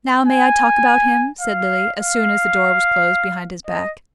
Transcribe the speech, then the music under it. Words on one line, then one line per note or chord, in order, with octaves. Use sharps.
"Now may I talk about him?" said Lily, as soon as the door was closed behind his back.
G#5
F5
F5
D#5